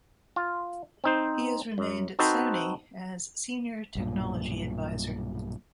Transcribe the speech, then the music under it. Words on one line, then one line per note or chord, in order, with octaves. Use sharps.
He has remained at Sony as senior technology advisor.
F4
C4 D#4 C5
F#2
C4 D#4 F#4 A4 B4 C5
B1 G2 A#2